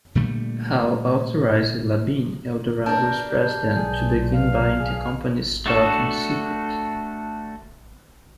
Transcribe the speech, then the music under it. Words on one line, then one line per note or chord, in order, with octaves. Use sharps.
Howe authorized LaBine, Eldorado's president, to begin buying the company's stock in secret.
A#2 D3 G3 A3
E2 D4 A#4 G6
G3 G6
B1 G#4
E2 F5
G#4
A3 D4 F#4 A4